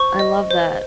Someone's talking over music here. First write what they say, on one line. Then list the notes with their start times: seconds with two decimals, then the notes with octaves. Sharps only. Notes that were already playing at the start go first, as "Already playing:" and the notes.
I love that.
Already playing: C5 C#6
0.19 D#5
0.51 C5